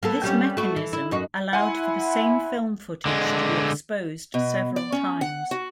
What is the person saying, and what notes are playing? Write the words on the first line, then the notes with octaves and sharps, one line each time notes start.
This mechanism allowed for the same film footage to be exposed several times.
A#3 B3 A4
G3 B3 C#4
A3 B3 F#4
E3
E4
F#2 D#4 F#4
E4 F#5 G#5 C6
D3 G#3
B2
D5
C#4
F#5
F#4